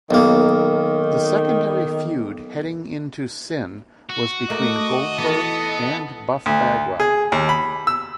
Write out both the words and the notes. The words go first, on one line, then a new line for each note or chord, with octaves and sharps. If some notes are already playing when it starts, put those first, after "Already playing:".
The secondary feud heading in to Sin, was between Goldberg and Buff Bagwell.
B1 D#3 A#3
F#4
A3 A#4 D#5 D6
E3 B3 D#4 F#4 A4
D2
G#4
D#2
B5
E6